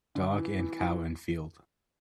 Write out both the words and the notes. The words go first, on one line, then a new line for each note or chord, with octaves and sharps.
Dog and cow in field.
D3
E3
E3
E3